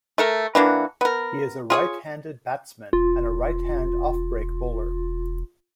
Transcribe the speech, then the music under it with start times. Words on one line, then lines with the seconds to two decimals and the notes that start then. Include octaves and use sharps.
He is a right-handed batsman and a right-hand off-break bowler.
0.18 A3 A4 A#4
0.55 E3 A#3 D4 F#4
1.01 B3 A#4
1.70 F4 G#4 C#5
2.93 E1 F4